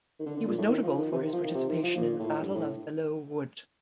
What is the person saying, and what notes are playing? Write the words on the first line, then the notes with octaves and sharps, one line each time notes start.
He was notable for his participation in the Battle of Belleau Wood.
D#3
D3
D3
A#2
A2
D#3
F3
D#3
C3
D#3
F3
D#3
C3
D#3
F3
A#2
A2
G2
A2